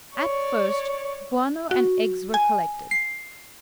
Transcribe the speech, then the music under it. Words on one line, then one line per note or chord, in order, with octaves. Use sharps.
At first guano and eggs were collected.
C#5 D5
F#4
G#5
C7